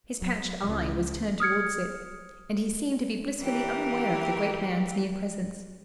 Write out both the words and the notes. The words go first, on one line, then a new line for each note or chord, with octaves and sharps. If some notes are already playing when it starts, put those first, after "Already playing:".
His patched eye was turned towards it, and he seemed to be blissfully unaware of the great man's near presence.
F#3
C#2
D#6 F6 G#6 C#7
E3 G4 A#4